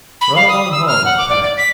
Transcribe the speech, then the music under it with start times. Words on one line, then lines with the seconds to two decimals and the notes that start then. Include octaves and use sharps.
Run along home and pack.
0.21 B5
0.36 F5
0.49 D#6
0.72 E6
0.87 F6
1.05 F#5
1.18 D6
1.30 D5
1.43 D5
1.57 B6